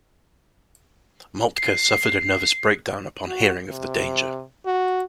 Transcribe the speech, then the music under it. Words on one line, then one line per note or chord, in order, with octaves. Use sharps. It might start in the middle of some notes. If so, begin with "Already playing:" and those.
Moltke suffered a nervous breakdown upon hearing of the danger.
C7
F#4
C3
F#4